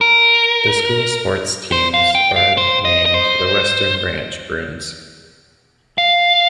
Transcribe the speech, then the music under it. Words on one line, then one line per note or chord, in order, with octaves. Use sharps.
The school's sports teams are named the Western Branch Bruins.
A#4
C5
F5
G5
F5
C5
D#5
D#5
C5
F5